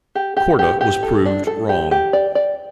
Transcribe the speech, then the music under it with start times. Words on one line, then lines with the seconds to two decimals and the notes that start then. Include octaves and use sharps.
Korda was proved wrong.
0.15 G4
0.37 G4
0.59 G4
0.81 G4
1.03 A4
1.26 D4
1.47 A4
1.69 G4
1.91 G4
2.13 D5
2.35 D5